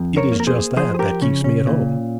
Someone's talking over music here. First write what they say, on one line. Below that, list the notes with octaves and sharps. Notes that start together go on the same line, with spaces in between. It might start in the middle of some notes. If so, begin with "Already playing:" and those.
'It is just that that keeps me at home.
Already playing: F2
A#4 C#5
A#3
A#4
G#4 C5
F3 G#4 C5
G#4
G4 A#4
C#3 C#4
C#4
A#2